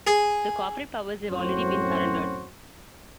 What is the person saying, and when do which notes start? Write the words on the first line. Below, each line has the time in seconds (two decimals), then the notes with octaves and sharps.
The corporate powers have already been surrendered.
0.07 G#4
1.28 F#2 A2 C4 C#4 F#4 C5